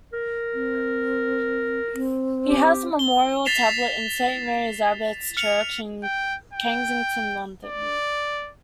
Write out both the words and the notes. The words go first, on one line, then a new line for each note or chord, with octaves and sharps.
He has a memorial tablet in Saint Mary Abbots church in Kensington, London.
A#4
C4
C4
G4
G7
A6 B6 C7 E7 F7 G7
F6 C#7 F7
G5
G5
D5